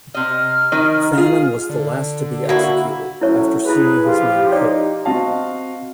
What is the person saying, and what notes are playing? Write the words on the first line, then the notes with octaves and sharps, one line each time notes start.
Fannin was the last to be executed, after seeing his men killed.
C3 D#5 F6
D#3 D#5
F4 G#4
D3
A#3 E4 F#4
F#3 A3 C#4 E4 C#5
E4 G#4 B4 A5 B5
F3 F4 G4
D#4 C#5 D5 G5
C4 F#4 D#5 F5 A5